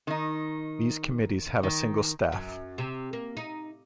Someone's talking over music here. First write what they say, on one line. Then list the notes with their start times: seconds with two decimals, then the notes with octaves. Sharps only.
These committees have a single staff.
0.07 D#3 D#4
1.63 D#3
2.32 F#2
2.78 C3
3.13 A#3
3.37 D#4